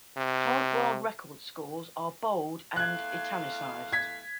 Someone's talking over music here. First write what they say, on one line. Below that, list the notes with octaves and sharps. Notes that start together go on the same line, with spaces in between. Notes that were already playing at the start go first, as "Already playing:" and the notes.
Current world record scores are bold and "italicized".
C3
E2 A3 F5 F#6 G#6
G#6 B6